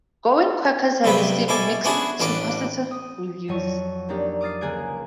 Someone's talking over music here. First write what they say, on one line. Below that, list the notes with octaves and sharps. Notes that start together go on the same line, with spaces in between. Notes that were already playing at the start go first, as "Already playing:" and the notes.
"Goin' Quackers" has received mixed to positive reviews.
G2 C3 F#3 B3 B4 G5
B2 E4 A4 G#5 D6
B3 C#4 D4 E4 F#4 G#4
A1 D4 B4 D6
D#6
F2 F#3 C#5 C#6 D#7
A#3 C4 D4 D#4 G4 D5
D6 D#6 F6 A6 C7
C#2 A#3 G#4 F#6 G#6 D7